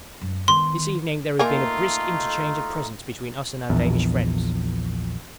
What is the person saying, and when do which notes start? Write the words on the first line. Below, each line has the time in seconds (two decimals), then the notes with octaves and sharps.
This evening there has been a brisk interchange of presents between us and our Danish friends.
0.22 F#2
0.48 D#3 B3 C6
1.39 A3 A#3 D#4 F4 A#4 G#5
3.70 A#1 E2